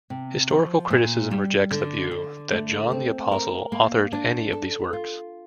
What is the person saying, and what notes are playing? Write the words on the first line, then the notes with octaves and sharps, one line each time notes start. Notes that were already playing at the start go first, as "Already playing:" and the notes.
Historical criticism rejects the view that John the Apostle authored any of these works.
C3
F3
A#2
G3
D3
D3
A3
C4
A#4
A#3
D4
A4
F4